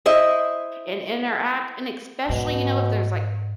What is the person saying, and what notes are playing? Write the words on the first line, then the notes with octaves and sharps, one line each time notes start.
and interact, and especially, you know, if there's like
E4 C5 D#5 E5
G#2 B2